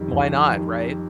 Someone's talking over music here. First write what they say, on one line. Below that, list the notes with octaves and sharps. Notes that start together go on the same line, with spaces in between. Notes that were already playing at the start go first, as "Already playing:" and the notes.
Why not, right?
Already playing: F2 D#3 G3
F2
D#3 G3